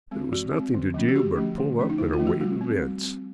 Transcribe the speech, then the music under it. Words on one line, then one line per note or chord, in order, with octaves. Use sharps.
There was nothing to do but pull up and await events.
G#3 C4
E3 F#4
G#3 C4
D3
F3 A3 C#4
G4
D3 F#4
F3 A3 C#4
D3
F3 A3 C#4
D#4
D3 E4
F4
F3 A3 C#4
F#4
G3 F#4
C4
G3
C4